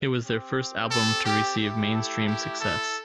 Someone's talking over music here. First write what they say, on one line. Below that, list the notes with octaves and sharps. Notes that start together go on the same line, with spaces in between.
It was their first album to receive mainstream success.
C4 G4
A4
G4
A3 E4 G4
A4
G4
A4